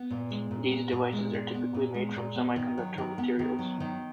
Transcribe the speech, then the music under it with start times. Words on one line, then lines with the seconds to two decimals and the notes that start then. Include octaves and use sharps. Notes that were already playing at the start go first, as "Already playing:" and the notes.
These devices are typically made from semiconductor materials.
Already playing: B3
0.11 A#2
0.31 G#3
0.51 A#2
0.72 B3
0.92 A#2
1.12 G#3
1.33 A#2
1.54 B3
1.74 A#2
1.94 G#3
2.16 A#2
2.36 B3
2.56 D#3
2.78 F#3
2.98 D#3
3.18 B3
3.39 D#3
3.59 F#3
3.80 D#3